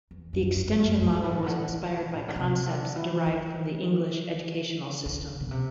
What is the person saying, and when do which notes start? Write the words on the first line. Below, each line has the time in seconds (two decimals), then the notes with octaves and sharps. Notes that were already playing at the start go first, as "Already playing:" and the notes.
The extension model was inspired by concepts derived from the English educational system.
0.11 E2
0.33 F#2
0.56 G2
0.68 G2
0.79 F#2
1.01 G2
1.24 A2
1.46 D3
1.69 D3
1.91 B2
2.13 A2
2.28 D3
2.36 C3
2.66 D3
2.96 E3
3.26 E3
5.06 D3
5.40 B2
5.51 C3